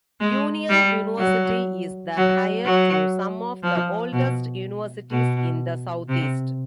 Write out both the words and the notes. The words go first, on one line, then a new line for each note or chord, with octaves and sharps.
Union University is the heir to some of the oldest universities in the Southeast.
G#3
G3
F#3
F#3
F#3
F3
B2
B2
C3